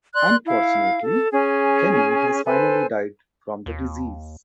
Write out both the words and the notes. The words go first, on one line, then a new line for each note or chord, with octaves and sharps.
Unfortunately, Kenny has finally died from the disease.
D5 C6 F#6
E4 F5
A4
C#4 G#4 G#5
A4 B4 C5 G#5
D#2